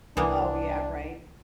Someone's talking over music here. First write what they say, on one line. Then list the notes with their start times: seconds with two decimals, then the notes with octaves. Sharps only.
Oh, yeah, right?
0.17 C2 E3 A#3 B3 D4